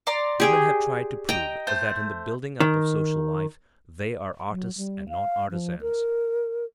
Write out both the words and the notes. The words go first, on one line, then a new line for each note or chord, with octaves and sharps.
Women have tried to prove that in the building up of social life they are artists and not artisans.
D5 A#5 C6
G4 G#4 G5
D#5 G5 A#5
A3 C5 G6
D#3
F#3
G3
F5
F3
A#4